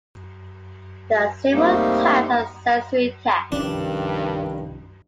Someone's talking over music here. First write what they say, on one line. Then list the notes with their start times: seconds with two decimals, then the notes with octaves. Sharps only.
There are several types of sensory tests.
1.53 G3 A3 A#3 C4 D#4 G4
3.52 C2 G2 D#3 F3 C#4 D4